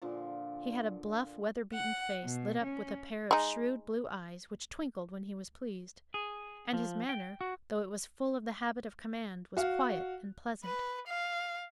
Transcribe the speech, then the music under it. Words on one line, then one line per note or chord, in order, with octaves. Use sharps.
He had a bluff weather-beaten face, lit up with a pair of shrewd blue eyes which twinkled when he was pleased; and his manner, though it was full of the habit of command, was quiet and pleasant.
A#2 D3 F3
F#5
B2
C#4
G#3 D#4
G#4
F3
G5
F#4
F#4 F5
B4
F5